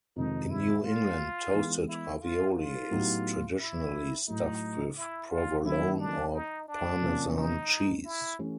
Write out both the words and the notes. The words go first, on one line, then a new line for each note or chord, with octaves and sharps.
In New England, toasted ravioli is traditionally stuffed with provolone or Parmesan cheese.
F2 C3 D#3 G#3 D#4
E4
F4
E3 G#3 B3
E4
F4
F4
A2 F#3 B3 D#4 G4
E4
A2 F#3 A3 D#4
E4
F4
D#3 F#3 A#3 C#4 E4
D4
D#4
D4
C3 F3 A#3 C#4
D#4
E4
E3 A3 C#4 E4 G4